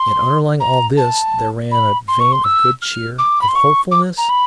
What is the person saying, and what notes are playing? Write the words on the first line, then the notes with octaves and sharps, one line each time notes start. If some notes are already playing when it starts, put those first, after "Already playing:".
Yet underlying all this there ran a vein of good cheer, of hopefulness.
Already playing: C6
A#5
A5
B5
C6
C#6
C6
E6
F6
D6
B5
C6
C#6
D6
A#5
B5